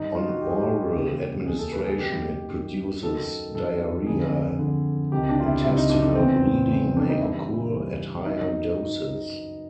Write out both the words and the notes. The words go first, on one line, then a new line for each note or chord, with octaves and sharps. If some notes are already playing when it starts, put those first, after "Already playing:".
On oral administration, it produces diarrhea; intestinal bleeding may occur at higher doses.
Already playing: G2 D#3 D#4
F4
F#4
G2 D#3 G4
G#4
G4
D#2 C#3 E3
D#2 C#3 E3 G#4
A4
B4
G#4
F#2 D#3 G4
F#2 D#3
F#2 D#3 A4
F#2 D#3 A4
F2 D3 G#4
F2 D3
C#2 C3 D#3 G4
D4
F4
E4
C#2 C3 D#3 E4
D#4
D4
D4
E2 C#3 E3 C4
E2 C#3 E3
D4
D#4
G2 E3 E4
G2 E3
F#2 D#3 D#4